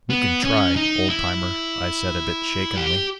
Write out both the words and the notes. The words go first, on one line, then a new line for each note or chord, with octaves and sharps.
"We can try, old-timer," I said, a bit shakenly.
B3
C#4
D#4
E4
G4